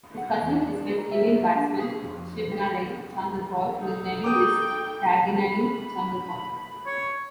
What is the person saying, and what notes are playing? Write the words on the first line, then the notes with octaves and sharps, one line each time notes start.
His cousin is West Indian batsman Shivnarine Chanderpaul and his nephew is Tagenarine Chanderpaul.
F#5
E2
D4
A#5
E5
D4
G#4
F2
G4
D#4 A4
G5 D6 D#6
B5
C#5